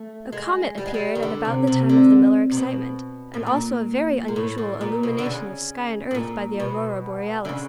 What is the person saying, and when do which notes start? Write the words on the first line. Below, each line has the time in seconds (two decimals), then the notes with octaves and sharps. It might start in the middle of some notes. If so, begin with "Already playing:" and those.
A comet appeared at about the time of the Miller excitement, and also a very unusual illumination of sky and earth by the Aurora Borealis.
Already playing: A3
0.32 G#3
0.78 G3
0.86 G#3
0.94 G3
1.15 D#3
1.23 D3
1.45 C3
1.67 C3
1.89 D3
2.51 C3
2.57 B2
3.34 A2
3.46 A#2
4.28 A#2
4.36 A2
4.58 A2
4.81 A#2
5.03 B2
5.19 D3
5.25 C#3
6.11 A2
6.15 A#2
6.60 B2
7.45 D3
7.49 C#3